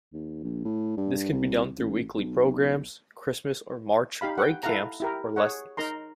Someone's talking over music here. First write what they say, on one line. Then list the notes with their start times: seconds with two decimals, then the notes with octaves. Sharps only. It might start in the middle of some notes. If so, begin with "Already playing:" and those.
This can be done through weekly programs, Christmas or March Break camps, or lessons.
0.13 D#2
0.43 A#1
0.65 A2
0.97 G2
1.31 C2
1.78 A1
2.16 B1
4.21 D#4 G4 F5 B5
4.38 F#5 G5
4.63 E4 A4 F5 F#5 A#5
5.00 E4 G4 A#4
5.36 G#4 C#5 F#5
5.77 D#4 A#4 A#5 C6